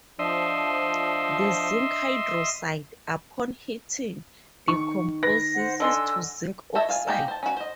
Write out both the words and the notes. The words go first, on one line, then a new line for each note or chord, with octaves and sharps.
The zinc hydroxide upon heating decomposes to zinc oxide.
F3 D4 D#5 E5 C6
D#3 C#6
B4 A#6
C5 F#5
D3 D4 D#5 G#5 C6 E6
A4 C5 C#5 D#5 E5
F4 F5 G#5
G#3 A#3 D#4 F#4 G4
C5 A5
C#4 F#4
C5 D#5